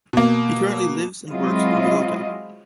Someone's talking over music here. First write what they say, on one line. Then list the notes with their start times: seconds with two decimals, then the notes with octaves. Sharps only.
He currently lives and works in Bogota.
0.13 B2 A#3
1.29 F#3 G#3 C4 E4 F4 D#5